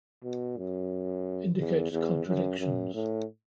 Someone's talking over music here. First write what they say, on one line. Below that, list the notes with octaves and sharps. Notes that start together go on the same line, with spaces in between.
Indicates contradictions.
B2
F#2
E2
E2
F#2
F#2
A2